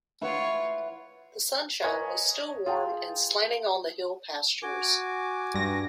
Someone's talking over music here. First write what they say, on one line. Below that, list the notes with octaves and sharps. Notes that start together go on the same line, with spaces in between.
The sunshine was still warm and slanting on the hill pastures.
E4 F4 B4 C#5 F#5
A#4 B4 C#5 D#5 G#5
F4 G#4 G5 A5
F#4 G#5 D6
G2 A#6